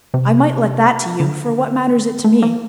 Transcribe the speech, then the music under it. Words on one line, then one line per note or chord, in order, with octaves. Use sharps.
I might let that to you, for what matters it to me?
C3
D3
A3
A#3